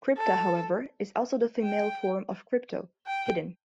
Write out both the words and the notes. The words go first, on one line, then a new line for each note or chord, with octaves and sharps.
"Crypta", however, is also the female form of "crypto" "hidden".
A4
G5
G5